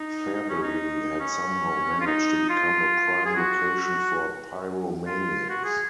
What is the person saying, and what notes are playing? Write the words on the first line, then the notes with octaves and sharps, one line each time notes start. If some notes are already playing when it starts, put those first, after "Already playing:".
Fairbury had somehow managed to become a prime location for pyromaniacs.
Already playing: D#4
D#4
C#4
D#4
C#4
F4
D#4
F4
G#4
F#4
F4
F#4
G#4